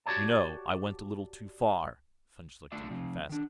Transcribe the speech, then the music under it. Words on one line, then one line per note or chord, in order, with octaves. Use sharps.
"You know, I went a little too far," von Schlichten confessed.
F#4 G4 C#5 D5 A5
A3 D4 F4 D5 E5
C3 F3 C4
D#3 D4